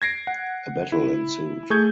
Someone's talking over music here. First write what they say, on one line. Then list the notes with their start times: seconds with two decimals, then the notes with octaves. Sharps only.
A battle ensued.
0.02 G#6 A#6 C7 D7
0.27 F#5
0.92 E4
1.70 A3 G#4 C#6 G6 G#6